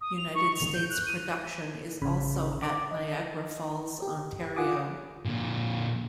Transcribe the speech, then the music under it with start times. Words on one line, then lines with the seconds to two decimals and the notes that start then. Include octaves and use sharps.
United States production is also at Niagara Falls, Ontario.
0.01 D#6
0.17 F7
0.34 C#6
0.56 F7
0.73 G6
0.90 F#6
1.06 D#7
2.02 A1 C#3 B5
2.63 D6
2.91 D#5
4.02 G4
4.56 F4 F#5 G#5 D6 D#6
5.25 A#2 D3